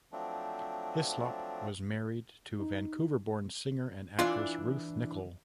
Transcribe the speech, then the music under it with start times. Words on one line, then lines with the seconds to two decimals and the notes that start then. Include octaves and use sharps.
Hyslop was married to Vancouver-born singer and actress Ruth Nichol.
0.12 F3 F#3 A3 C4 D4
2.59 D#4
4.19 E3 D4 F4 D5